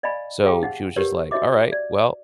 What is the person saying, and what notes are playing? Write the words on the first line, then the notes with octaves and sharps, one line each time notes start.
So she was just, like, "Alright, well"
D5 D#5 F5 G#5 B5
G4 G#4 F5 G5
D#4 F#5
G4 A#4 B4 C#5
D#4 F#4 C#5 D#5 E5 D6
D5